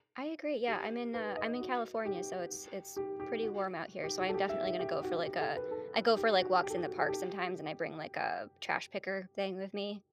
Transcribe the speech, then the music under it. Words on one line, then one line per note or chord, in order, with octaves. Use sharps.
I agree, yeah, I'm in, uh I'm in California, so it's it's pretty warm out here. So I am definitely gonna go for, like a I go for, like, walks in the park sometimes and I bring like a trash picker thing with me.
G4
B4
D#5
F#4
G4
G4
G4
F#4
G4
F#4
A4
G4
E5
E5
G4
F#4
G4
A4
B4
A4
G4
F#4
G4
A4
G4
F#4
A4
G4